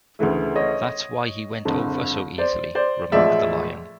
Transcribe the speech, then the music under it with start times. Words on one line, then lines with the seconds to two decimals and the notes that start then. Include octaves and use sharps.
"That's why he went over so easily," remarked the Lion.
0.19 D2 C#3 E3 A3
0.56 C#5 D#5
1.65 F#1 F2 D3
2.38 C5 D5
2.75 C5 D5
3.12 A1 A2 F3 G#3 D5 E5